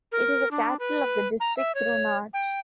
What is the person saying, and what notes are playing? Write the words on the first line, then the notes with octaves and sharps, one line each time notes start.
It is the capital of the district Kronach.
A#4
D4
B4
A#5
E5
C#5
G5